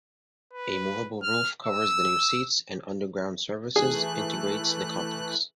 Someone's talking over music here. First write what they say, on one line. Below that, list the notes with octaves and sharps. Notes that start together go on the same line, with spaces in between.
A movable roof covers the new seats and underground services integrates the complex.
B4
F6
E6
E3 A3 G#4 F#6